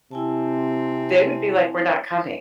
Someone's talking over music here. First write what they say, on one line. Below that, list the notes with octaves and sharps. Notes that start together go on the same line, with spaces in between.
they would be like, "We're not coming.
C3 C4 E4 G#5 A5